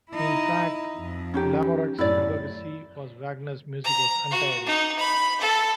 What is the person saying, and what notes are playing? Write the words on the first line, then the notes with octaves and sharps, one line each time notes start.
In fact Lamoureux's advocacy of Wagner's music was untiring.
D#4 E4
F2 F3
C#4 D#4 G4
F#2 A2 E4 C#5 D5
A#5
F#4
D#4
B5
A4